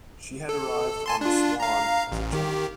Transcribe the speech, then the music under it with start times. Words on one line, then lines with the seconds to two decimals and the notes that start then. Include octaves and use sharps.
She had arrived on The Swan as a child.
0.49 A4
1.06 G#5 A5 C6
1.21 D4 F4
1.60 F5 A#5
2.12 A1
2.33 D#3 G4